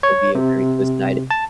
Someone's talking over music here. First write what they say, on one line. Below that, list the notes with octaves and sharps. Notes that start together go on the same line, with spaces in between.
it'll be a very cozy night i
C#5
C3
A5